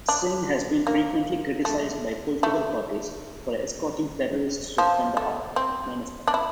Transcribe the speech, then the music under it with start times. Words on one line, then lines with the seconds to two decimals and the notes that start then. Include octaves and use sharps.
Singh has been frequently criticized by political parties for escorting terrorists to Kandhahar, Afghanistan.
0.09 D4
0.87 A#3
1.65 A3
2.43 A3
4.78 F3
5.17 A3
5.56 C4
6.27 D4
6.34 E4